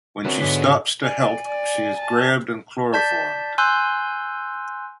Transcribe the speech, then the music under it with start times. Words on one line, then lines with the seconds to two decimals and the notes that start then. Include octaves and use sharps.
When she stops to help, she is grabbed and chloroformed.
0.24 F#2 D3 C4 B4 D5 C#6
0.40 G#2 D3 F#3 B3 G#4 D6 B6
1.02 D5 G#5
1.49 D5
1.98 A5
2.93 D5 A5 G6 B6
3.58 G#5 C6 E6 F#6 G6